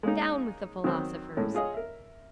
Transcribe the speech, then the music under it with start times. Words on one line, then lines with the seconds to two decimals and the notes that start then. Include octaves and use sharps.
Down with the philosophers!
0.03 G#3 A#3 C#4 D#4
0.84 D#3 F#3 C4
1.37 A2 G#3 C#4 E4
1.55 F4 G#4 C#5 D#5
1.74 A#4 E5